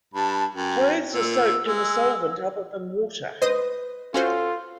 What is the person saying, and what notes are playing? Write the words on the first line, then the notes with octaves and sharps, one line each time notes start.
Clothes are soaked in a solvent other than water.
G2 A5 B5
F#2 G5
A#2 E6
G#3
B4 C5 D#5 D#6
C#4 F4 F#4 A4 C5